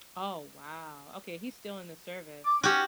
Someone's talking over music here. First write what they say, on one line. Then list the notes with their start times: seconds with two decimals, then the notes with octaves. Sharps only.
Oh, wow. Okay, he's still in the service.
2.45 D6
2.63 C#4 F#4 G4